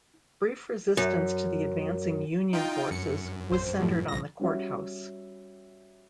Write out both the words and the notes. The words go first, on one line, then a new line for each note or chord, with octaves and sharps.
Brief resistance to the advancing Union forces was centered on the courthouse.
F#2
D#4 F4 G5
F#2 C#7
A#1 C5
A2 F3 G3
C2 A#6
G3 C#4 F#4 E5